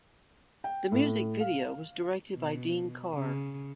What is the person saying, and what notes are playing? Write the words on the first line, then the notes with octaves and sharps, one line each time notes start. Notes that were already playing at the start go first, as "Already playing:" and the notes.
The music video was directed by Dean Karr.
G5
A2
F5
B2
C#3